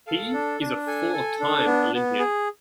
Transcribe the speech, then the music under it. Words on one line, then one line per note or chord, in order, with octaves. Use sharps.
He is a four-time Olympian.
A4 F5
D4
D4
A4 G#5
A4
D4
B3
B3
G#4